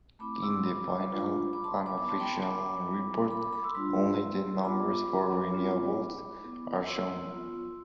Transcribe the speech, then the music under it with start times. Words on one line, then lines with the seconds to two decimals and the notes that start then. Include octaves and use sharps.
In the final and official report only the numbers for renewables are shown.
0.19 A3 C4 E4 B5 D6
0.37 D6
0.42 C6 E6
0.64 B5 D6
1.08 A3 D4 F4
1.53 B5 D6
1.64 A5 C6
1.86 B5 D6
1.98 B3 E4 B5 D6
2.08 A5 C6
2.19 G5 B5
2.31 A5 C6
2.42 B5 D6
2.87 G3 C4 E4
3.31 B5 D6
3.42 B5 D6
3.52 B5 D6
3.64 C6 E6
3.75 G3 D4 F4 C6 E6
4.64 B3 F4 B5 D6
5.08 B5 D6
5.53 G3 C4 F4
6.41 B3 E4
6.86 C6 E6
7.30 B3 F4